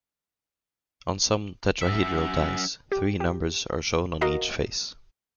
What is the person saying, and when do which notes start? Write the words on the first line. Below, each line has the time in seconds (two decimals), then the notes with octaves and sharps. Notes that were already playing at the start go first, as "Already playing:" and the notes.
On some tetrahedral dice, three numbers are shown on each face.
1.82 F#2 E5
2.92 G4
3.20 G4
4.21 F#4 A#4 D#5 F5